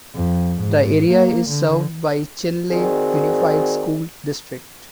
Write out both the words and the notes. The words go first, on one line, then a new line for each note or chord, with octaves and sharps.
The area is served by Chinle Unified School District.
F2
G#2
A#3
D3
D#3 C4 F#4 G#4 D5